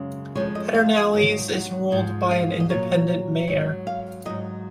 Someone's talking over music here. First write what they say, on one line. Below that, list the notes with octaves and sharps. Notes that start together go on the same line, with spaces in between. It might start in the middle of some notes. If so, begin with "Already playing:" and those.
Pedernales is ruled by an independent mayor.
Already playing: F#2 C#3 G#3
F2 F3 G#3 C#5
D#5
F5
G#2 D#3 F#3
F#5
G#2 F3 G#3
F5
D#5
A#2 F#3 C#5
G#2 F#3
F5
G#2 D#3 F#3 D#5